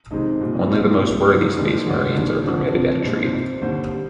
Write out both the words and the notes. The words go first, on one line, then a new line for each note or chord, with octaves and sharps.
Only the most worthy Space Marines are permitted entry.
F2 C3 D#3 G#3 D#4
C2 A#2 G3
C2 A#2 G#3 D#4
F4
G4
C2 A#2 G#3
G#2 D#3 G3
D#2 D#3 G#3 D4
D2 D3 G#3
D#2 D#3 G3 D4
F2 D3 F3 D4
F2 C3 F3
C2 A#2 G#3 D4
D#4
C5
F2 C3 G3
D#2 D3 G3 C5
G3